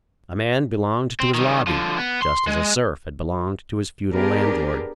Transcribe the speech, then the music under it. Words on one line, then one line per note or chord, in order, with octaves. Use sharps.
A man belonged to his Lobby, just as a serf had belonged to his feudal landlord.
C4
D#3 G3
D3 F3
B3
C6
G#3
B3 D4 G4 G#4 A#4